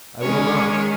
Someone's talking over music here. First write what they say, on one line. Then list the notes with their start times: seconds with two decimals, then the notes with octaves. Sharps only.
"I will not."
0.22 D#3 G#3 C#4 C#5